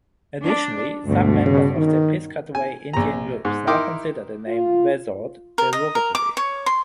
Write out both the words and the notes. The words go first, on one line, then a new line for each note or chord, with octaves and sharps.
Additionally, Some members of the Piscataway Indian groups now consider the name Wesort derogatory.
D4
D2 G2 B2
C#3
D#3
G#5
A#1 A#5
G#2
D#4 E4 A#4 G5 C6 D6
F4
A#4
D#5
A#4
D6
C#5
C6